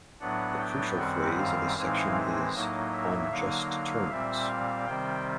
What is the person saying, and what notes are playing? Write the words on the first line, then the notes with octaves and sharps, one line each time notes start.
The crucial phrase in this section is "on just terms".
A2 F#3 B3 D4 F#5
G5
F#2 D#3 G3 C4 F#5
F5
A2 E3 G#3 C4 D#4 F5
A2 F#3 A#3 D#4 D#5
E5
D3 F#3 A#3 D#4 F5
F5
A#2 G3 C4 E5
F5
C3 D#3 G3 C4 G5